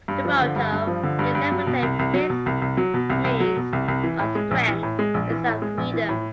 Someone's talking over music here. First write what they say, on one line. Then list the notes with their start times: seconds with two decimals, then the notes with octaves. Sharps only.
The motto, "In Libertate Vis", means "Our Strength is our Freedom".
0.08 G2
0.25 F3
0.41 D3
0.56 G2
0.72 G2
0.87 F3
1.03 D3
1.19 G2
1.35 G2
1.52 F#3
1.67 B2
1.83 C2
1.99 C2
2.14 F#3
2.30 B2
2.46 C2
2.62 C2
2.77 F#3
2.94 B2
3.10 C2
3.24 C2
3.40 F#3
3.57 B2
3.73 C2
3.88 C2
4.04 E3
4.19 A2
4.35 G#3
4.51 A#1
4.68 E3
4.83 A2
4.99 G#3
5.14 A#1
5.30 E3
5.46 A2
5.62 G#3
5.78 A#1
5.94 E3
6.09 A2